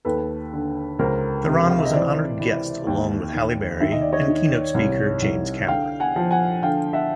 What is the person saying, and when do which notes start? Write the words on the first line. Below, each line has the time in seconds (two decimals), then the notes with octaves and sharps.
Theron was an honoured guest along with Halle Berry and keynote speaker James Cameron.
0.05 D#2 A4 B4
0.53 D3
0.99 C#2 A#4 C5
1.47 C3
1.70 F5
1.79 E5
1.85 D#5
1.93 E3 C5 D5
2.40 E3
2.87 D#2
3.33 D#2
3.80 D#3 E5
3.92 D#5
4.01 D5
4.13 C#5 D#5
4.28 D#3
4.74 C2
5.22 C2
5.68 D3 F5 G5
6.00 F#5 G#5
6.16 F3
6.31 F#5 G#5
6.63 D3 F5 G5
6.93 E5 F#5